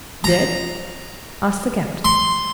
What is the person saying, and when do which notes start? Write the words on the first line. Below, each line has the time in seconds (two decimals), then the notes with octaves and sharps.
"Dead?" asked the captain.
0.24 A#5
2.05 C6